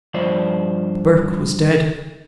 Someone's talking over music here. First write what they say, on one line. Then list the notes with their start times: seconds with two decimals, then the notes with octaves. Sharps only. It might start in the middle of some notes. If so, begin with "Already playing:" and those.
Burke was dead!
0.14 G2 F3 C5 D5